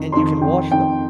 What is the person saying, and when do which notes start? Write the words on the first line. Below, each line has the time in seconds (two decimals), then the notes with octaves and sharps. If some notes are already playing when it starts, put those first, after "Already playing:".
And you can wash them.
Already playing: F2 D#3
0.12 F2 D#3 C6
0.41 F2 D#3 G5
0.71 F2 D#3 G5